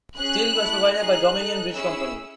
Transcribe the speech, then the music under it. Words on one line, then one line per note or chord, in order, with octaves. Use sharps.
Steel was provided by Dominion Bridge Company.
C#4 G#4 F#6
A3 E4 A4
D#4 G#4 F#6
D#4 A4
C#4 E4 G#4 E6